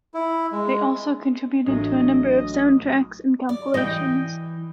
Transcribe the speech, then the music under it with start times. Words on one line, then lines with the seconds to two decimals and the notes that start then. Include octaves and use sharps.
They also contributed to a number of soundtracks and compilations.
0.14 E4
0.52 G#3
1.67 A1 F#3 A3 D4 D#5
3.49 D5
3.74 E3 D#5 G5